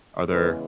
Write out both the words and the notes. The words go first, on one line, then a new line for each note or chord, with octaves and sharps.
are there
C#3 E3 G#3 B3 B4